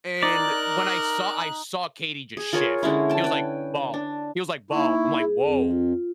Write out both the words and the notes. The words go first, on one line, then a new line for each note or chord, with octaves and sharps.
And when I saw I saw KD just shift. He was like, "Ball." He was like, "Ball." I'm like, "Woah."
D#4 A#4 D5 F#6
G#4
F4 G#4 A#4 C#5
D3 G#3 C#4 E4
G5 A5
B4 G5
D4
A#3 D#4 E4 C#6
G#4
F2
F4